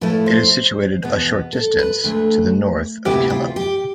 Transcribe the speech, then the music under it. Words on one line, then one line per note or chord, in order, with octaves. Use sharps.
It is situated a short distance to the north of Kelloe.
A2 F3 A3 E4 B4
C5
E2 B2 B3
A4
B4
D2 D3 A3
D2 C3 G3 B3 E4 G4
F4
G4